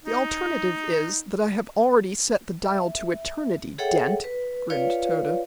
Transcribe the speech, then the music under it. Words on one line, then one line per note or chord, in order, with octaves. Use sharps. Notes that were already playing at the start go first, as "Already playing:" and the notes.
"The alternative is, that I have already set the dial to eternity, Dent," grinned Tode.
D#4
E5
G#4 A4 C#5 E5 F#5 G5
B4
F4 B4 C#5 D5 F5